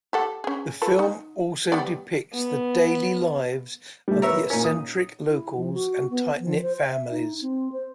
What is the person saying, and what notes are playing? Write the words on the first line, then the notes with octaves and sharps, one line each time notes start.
The film also depicts the daily lives of the eccentric locals and tight-knit families.
G4 A4 F#5
C#4 G#4
F4 A4 B4
D#4
G3 B3 D5
B3
G3 A3
B3 A#4 B4 C#5 E5
A#2 C#4 D#4 A#4
D#6
E4
F3
F#4
B3
F3
C5
E5
E5
D#4
C4
C5